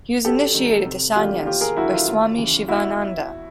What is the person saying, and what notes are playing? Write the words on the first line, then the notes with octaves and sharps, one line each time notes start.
He was initiated to sanyas by Swami Shivananda.
F#2 G4 A4
D#3 G3
C3
E3 A3 D4 F4 G4
D#2 F4 G4
G#4 A#4
D3 F#3 E4 F#4
F4
D#2 F4
C#3 E3
E2 E4 F#4